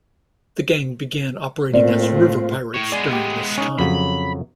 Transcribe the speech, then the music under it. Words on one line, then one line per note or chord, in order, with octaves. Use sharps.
The gang began operating as river pirates during this time.
A2 A#3 C4 F4 C5 D5
A2 C#5
G#3 B3 D5 G#5
G4
C#4 D#4
F2 C#3 F#3 B5